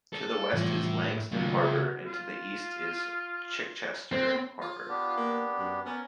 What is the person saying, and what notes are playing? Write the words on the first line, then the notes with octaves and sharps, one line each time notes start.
To the west is Langstone Harbour and to the east is Chichester Harbour.
A4
C2 A2 E3 F3
D#2 A2 C#3 F#3 F4
G#4 E5 A#5
F#4
F4
C4
F4
B3 D4 G4
A#3
F#2
B3 C#4 A#4